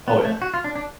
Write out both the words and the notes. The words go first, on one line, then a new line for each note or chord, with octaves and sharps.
Oh, yeah.
B3
A3
F#4
F4
D4
D4